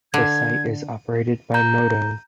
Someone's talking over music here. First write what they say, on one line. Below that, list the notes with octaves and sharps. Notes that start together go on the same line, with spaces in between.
The site is operated by Moto.
D3 G#6
A#5 G6